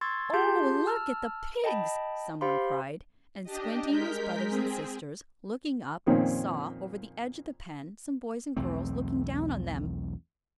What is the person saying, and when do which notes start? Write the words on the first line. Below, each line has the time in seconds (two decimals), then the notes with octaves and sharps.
"Oh, look at the pigs!" someone cried, and Squinty, and his brothers and sisters, looking up, saw, over the edge of the pen, some boys and girls looking down on them.
0.01 C6 C#6 E6 G#6 A6
0.33 F4 G4 G#4 A5 C6 G6
0.87 A5 E6 F6
1.64 D#5 G5 A5 B5
2.41 G4 C5 F5 B5 C6
3.44 D4 G4 D#5
3.88 G#3 A#4 G6 B6
4.46 C4 G#4
6.06 F2 A#2 D#3 C4 C#4
8.57 B1 E2 A3 C4